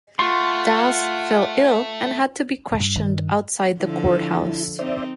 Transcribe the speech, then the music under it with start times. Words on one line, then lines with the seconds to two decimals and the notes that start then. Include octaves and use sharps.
Das fell ill and had to be questioned outside the courthouse.
0.19 A3 F4 F#5 C6 C#6
2.80 G2
2.96 D#3
3.80 D3 F3 E4 A4
4.79 C4 D#4 C5 D5 E5